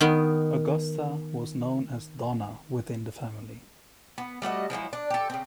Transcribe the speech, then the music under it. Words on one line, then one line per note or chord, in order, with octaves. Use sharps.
Augusta was known as "Dona" within the family.
D#3 B3
B3
G3 A3 F#4 D#5
F3 F#3 G#3 E4
D4
G4 A4
C#3 C4